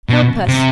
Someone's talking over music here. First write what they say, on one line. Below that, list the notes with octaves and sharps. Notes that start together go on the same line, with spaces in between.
Help us.
B2
C3